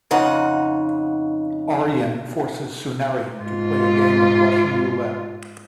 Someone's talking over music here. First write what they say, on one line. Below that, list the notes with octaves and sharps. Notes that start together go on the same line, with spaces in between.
Aryan forces Sunehri to play a game of Russian roulette.
F2 C#3 D#4 F#5
G#2 F4